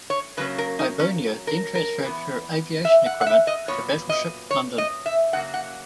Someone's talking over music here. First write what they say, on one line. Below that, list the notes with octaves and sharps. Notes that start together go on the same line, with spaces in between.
"Hibernia" then transferred her aviation equipment to battleship "London".
C#5
C#3 F#3 A#3 C#4 B4
A#4
D#4
C#4
A#4
A#4
E3 B3
E5
F#5
F#5
E5
D#5
A#2 F#3 B3 C#5
D#5
C#5
D#5
E5
C#3 F#3 A#3 F#5
F#5